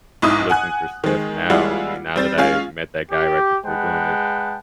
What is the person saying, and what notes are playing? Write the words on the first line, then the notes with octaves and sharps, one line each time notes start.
looking for stuff now. I mean, now that I met that guy right before doing it.
B1 G#2 E4 D#5 D#6
F#5 G#5 F#6
D#3 G#3
G3 G#3 E4 F4 F#5
G3 C4 A6
G#3 C#4 F4 F5
G4
G#3 B4 F#5 G5 A5